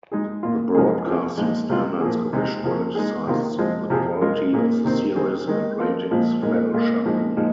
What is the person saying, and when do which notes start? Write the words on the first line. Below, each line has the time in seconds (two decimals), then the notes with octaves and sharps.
The broadcasting standards commission criticised the quality of the series and ratings fell sharply.
0.12 G#3 D#4 G#4
0.43 A#2 A#3 F4
0.75 C3 F3 G#3 D#4 G#4
1.06 F3 C4 G#4
1.37 A#2 F3 G#3 D#4
1.69 C3 G#3 F4
2.01 A#2 F3 A#3 G#4
2.33 C3 G#3 D#4 G#4
2.64 C3 F3 A#3 G#4
2.95 G#3 D#4 G#4
3.27 C3 D#3 A#3 F4
3.58 F3 G#3 C4
3.90 C3 F3 C4 G#4
4.21 G#3 F4 A#4
4.53 A#2 A#3 G#4
4.85 C3 D#3 C4
5.16 D#3 C4 G#4
5.47 D#3 G#3 D#4
5.79 F3 C4 F4 A#4
6.11 A#2 F3 G#3
6.42 A#2 G#3 D#4 A#4
6.73 A#2 G#3 F4 A#4
7.05 A#2 F3 G#3 D#4
7.37 A#2 F3 G#3 D#4